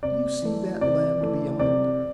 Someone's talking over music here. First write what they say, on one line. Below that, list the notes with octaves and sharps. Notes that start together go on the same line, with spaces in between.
Do you see that land beyond?'
C3 D5
E3 A3
C3 D5
E3 A3
C3 D5